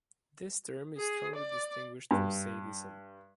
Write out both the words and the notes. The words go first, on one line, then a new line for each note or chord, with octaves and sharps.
This term is strongly distinguished from sadism.
G#4
D5
G2